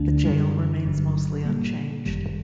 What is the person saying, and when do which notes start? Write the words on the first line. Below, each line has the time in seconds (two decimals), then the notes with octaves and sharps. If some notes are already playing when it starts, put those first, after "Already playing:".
The jail remains mostly unchanged.
Already playing: D2 D3 A3 D4
0.25 F#2 D3 G3
0.85 G1 G2 D3 F#3
1.45 A#2 G3 A#3
2.06 G1 F#2 D#3 G3